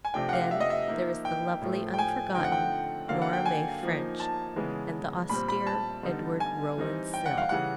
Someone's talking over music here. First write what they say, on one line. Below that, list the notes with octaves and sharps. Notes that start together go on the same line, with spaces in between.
Then there is the lovely unforgotten Nora May French and the austere Edward Rowland Sill.
G#5
C3 F3 A3 D4 G5
F#5
F5
E5
D#5
E5
F3 A#3 D#4
G5
A2 F3 A3
G5
G#5
D3 F3 A3 C4 D#4 G5
F#5
G5
D3 F#3 A#3 F5
F#5
G5
G#5
F3 A#3 D#4
A5
C#3 E3 G#3 B3
A#2 G3 C4 B5
B5
A5
D3 G3 B3 D#4
G#5
E3 G3 C4 D#4
G5
F#5
F5
C#3 E3 G3 F#5